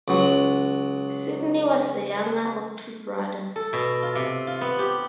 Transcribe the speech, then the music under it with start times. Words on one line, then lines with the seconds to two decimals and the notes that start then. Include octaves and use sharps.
Sydney was the younger of two brothers.
0.08 C#2 F#3
3.56 A4
3.73 B2
4.02 F4
4.15 C3
4.47 F4
4.61 B3
4.79 G4